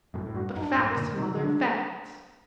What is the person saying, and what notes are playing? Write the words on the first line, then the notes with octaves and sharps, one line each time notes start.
"But facts, mother, facts!"
F#2 A2
A2
G2 F#4
F#2 D#4
D4
F#2 A2
A#4
A#2 D3
C3 D#3 D#4
D3 F#3
D4